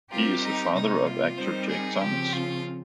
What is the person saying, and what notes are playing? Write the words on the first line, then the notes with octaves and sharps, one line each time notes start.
He is the father of actor Jake Thomas.
G3 C4 F4 G4 A#4
D#4
C3 G3 A#3 D#4
F4
G3 C4 D#4 A#4 C5
G#4
C#3 F3 C4 G4
F4